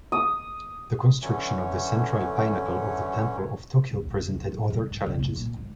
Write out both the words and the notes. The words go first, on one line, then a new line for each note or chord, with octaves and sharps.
The construction of the central pinnacle of the temple of Tokio presented other challenges.
D#6
D3 E3 F#3 A3 C#4 C#5
D#2
A#1
C3
E4
A2
G#2
E3
C3
A2
A#2
G#2